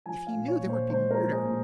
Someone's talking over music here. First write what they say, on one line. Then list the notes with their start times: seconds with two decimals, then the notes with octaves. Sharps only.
If he knew, there would be murder.
0.06 F3 G#5
0.27 F5
0.33 A#2
0.48 C#5
0.62 A#2
0.69 C5
0.90 G#3 C5
1.11 A#4
1.17 F3
1.32 G#4
1.46 A#2